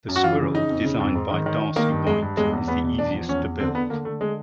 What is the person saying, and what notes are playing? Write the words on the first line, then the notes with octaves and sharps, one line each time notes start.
The Squirrel, designed by Darcy Whyte is the easiest to build.
F#2
F#4
E3 F4
C#3
C#3 D#4
F2
C#3
F2
G#2
D#3
D#3
D#3
D#3 A#3
G2
G2 G#3
G2
E2 G#3
E2
E2 B3
B2
E2 D4
F3
E2 C#4
E2
D3 C4
D3 B3
D3 A#3
D3 A3
G#3